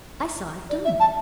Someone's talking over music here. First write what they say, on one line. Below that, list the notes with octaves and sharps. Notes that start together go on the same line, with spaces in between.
"I saw it done."
D5
E5
A5